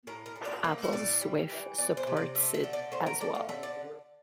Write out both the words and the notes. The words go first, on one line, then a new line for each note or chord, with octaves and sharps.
Apple's Swift supports it as well.
A2 A#4
A#4
A2
D5
A#3 E5
A2 D5
G3
E3
E3 D5
C5
C3
D5
A3 E5
E5
D3
D5
A3 C5
A#4
D3 D5
F5
D3 E5
D5